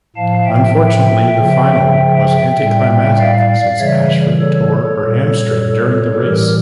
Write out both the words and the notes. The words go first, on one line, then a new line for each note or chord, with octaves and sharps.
Unfortunately, the final was anticlimactic since Ashford tore her hamstring during the race.
A2 F3 F5 A5
E5 G5
E5 G5
C#3 F3
A2 G3
D5 F5
C#3 E3 G3 C#5 E5
A4 C#5
A4 C#5
A#2 G3
A2 E3 G3 G4 A#4